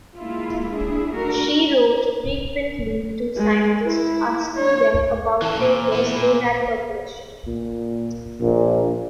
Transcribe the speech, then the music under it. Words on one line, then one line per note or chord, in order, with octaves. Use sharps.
She wrote frequently to scientists, asking them about papers they had published.
G#3 A#3 E4 F4
D4 E4 G#4
A3 D4 F#4 A#4
G#3
E4
C#5
E3 A4
A#2
B3 E4
A#2
A#2
A#1 A#2